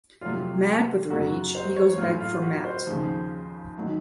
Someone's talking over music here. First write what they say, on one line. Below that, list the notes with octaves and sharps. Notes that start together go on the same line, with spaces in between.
Mad with rage, he goes back for Matt.
F2 C3 F#3 F4
F#2 C#3 F#3 F#4
C5
C#5
A2 F#3 F4
F4
F#4
C5
D#2 C#3 F3
D#3 F#3